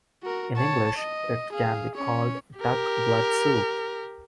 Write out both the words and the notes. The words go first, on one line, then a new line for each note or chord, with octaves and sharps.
In English it can be called "duck blood soup".
F#4 A#4
C#5 A5
D#5
G#4 F5
C#4 C#5
G4 A#4